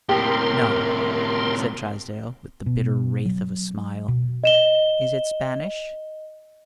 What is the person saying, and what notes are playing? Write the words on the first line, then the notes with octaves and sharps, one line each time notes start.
"No," said Trysdale, with the bitter wraith of a smile--"Is it Spanish?"
A2 C3 G4 A#4 C6
B2
F#3
B2
D#5 E7 G7